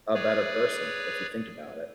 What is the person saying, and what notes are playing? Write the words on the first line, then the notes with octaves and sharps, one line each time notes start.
a better person, if you think about it.
G#4 B4 C#5 D5